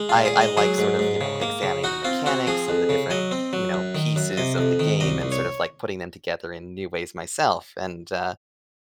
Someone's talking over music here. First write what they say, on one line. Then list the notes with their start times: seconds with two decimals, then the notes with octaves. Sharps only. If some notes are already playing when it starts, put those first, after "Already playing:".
I I like sort of, you know, examining the mechanics and the different, you know, pieces of the game and sort of like putting them together in new ways myself, and, uh,
Already playing: G#3
0.09 F4
0.15 A#2
0.25 G#4
0.36 G#3
0.41 D#5
0.57 F#3 G#4
0.78 G#2
0.99 G#2
1.21 C#3
1.42 A#3
1.63 C#3
1.84 D#4 F#4
2.05 C4 F4
2.26 C4 F#4
2.47 F3 G#4
2.68 F2
2.89 C#3
3.10 F#3 D#5
3.31 C4
3.53 F#3
3.74 F#2
3.95 D#3
4.16 F#2
4.37 C3 D#5
4.58 F2
4.79 D#3
5.00 C2 D#5
5.22 C2
5.32 C#5